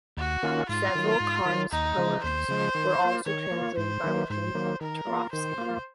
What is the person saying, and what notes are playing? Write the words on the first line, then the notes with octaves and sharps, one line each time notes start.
Several Kharms poems were also translated by Roman Turovsky.
D#2 F#4
D#3 A#3 C#4 F4
G#2 F4
D#3 F#3
G#2
D#3 F#3
D#2 D#4
C#3 F3 G#3
D#2 C5
C#3 F3 G#3
D#3
A#3 F4
D#3 C#5
A#3 F4
G#2 C5
D#3 F#3 A#3
G#2 C5
D#3 F#3 A#3
D#3 A#4
A#3 F4
D#3 C5
A#3 F4